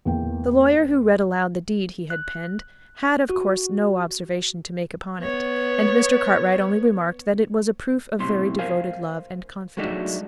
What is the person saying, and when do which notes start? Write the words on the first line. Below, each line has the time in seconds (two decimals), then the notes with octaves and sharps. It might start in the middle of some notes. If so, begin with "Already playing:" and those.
The lawyer who read aloud the deed he had penned, had of course no observation to make upon it, and Mr. Cartwright only remarked that it was a proof of very devoted love and confidence.
0.05 E2 A#3 G5
2.10 F#6
3.30 F#4
5.20 B3 C#5
8.19 B1 A2 C3 C6
8.59 A#4 C5 F5 G#5
9.77 F#3 G#3 A3 D4 D#4 F#4